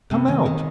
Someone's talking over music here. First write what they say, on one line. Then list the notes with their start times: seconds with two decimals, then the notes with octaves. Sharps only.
Come out!
0.11 C3
0.28 D#3
0.46 D#3